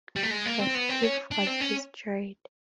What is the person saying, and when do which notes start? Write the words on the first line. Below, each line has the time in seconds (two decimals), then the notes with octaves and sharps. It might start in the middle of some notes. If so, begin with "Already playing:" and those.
The skiff was destroyed.
0.16 G3
0.23 A3
0.31 G#3
0.46 A#3
0.59 C4
0.75 B3
0.89 C4
1.03 C#4
1.31 D4
1.47 C4
1.61 C#4